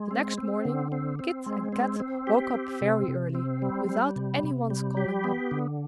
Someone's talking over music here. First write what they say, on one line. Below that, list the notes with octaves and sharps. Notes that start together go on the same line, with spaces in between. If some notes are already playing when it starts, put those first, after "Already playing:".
The next morning Kit and Kat woke up very early, without any one's calling them.
Already playing: G#3
C4
C4
D3
C4
C4
G#3
C4
C4
G4
C4
C3
C3
C4
G3
G3
C3
C3
G3
G4
B3
D3